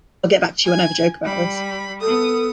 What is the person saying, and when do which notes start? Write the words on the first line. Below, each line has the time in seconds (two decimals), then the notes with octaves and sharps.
I'll get back to you when I have a joke about this.
0.64 G#5 G#6
1.23 G3 B5
2.01 B3 A4 D#6